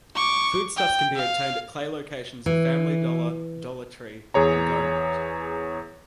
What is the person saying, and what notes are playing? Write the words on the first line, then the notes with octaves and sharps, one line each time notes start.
Foodstuffs can be obtained at Clay locations of Family Dollar, Dollar Tree, and Go-Mart.
C#6 D6
G5
F5
E3
E2 G#4 C#5 A#5